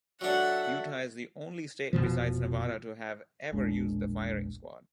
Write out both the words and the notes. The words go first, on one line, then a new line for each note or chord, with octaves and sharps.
Utah is the only state besides Nevada to have ever used the firing squad.
F#3 D4 A4 E5 F#5
F1 B1 B2 F3
E1 A#1 G#3 D4